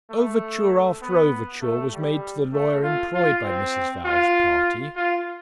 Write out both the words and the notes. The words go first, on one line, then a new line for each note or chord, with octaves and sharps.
Overture after overture was made to the lawyer employed by Mrs. Val's party.
A3
B3
A3
G3
A3
F4
F4
C4
F4
F4